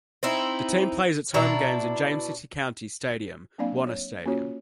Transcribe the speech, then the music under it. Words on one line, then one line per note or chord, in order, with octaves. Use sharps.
The team plays its home games in James City County Stadium-Wanner Stadium.
C4 D#4 E4
B2 D4 E4 A#5
F#3 A#3 C4 D4 D5 F5
C#5
A#3 C#4 F4 F#4 C#5